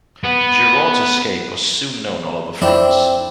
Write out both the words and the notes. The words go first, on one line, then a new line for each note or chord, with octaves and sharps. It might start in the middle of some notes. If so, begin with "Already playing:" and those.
Giraud's escape was soon known all over France.
B3
F2 C4 D4 E4 G5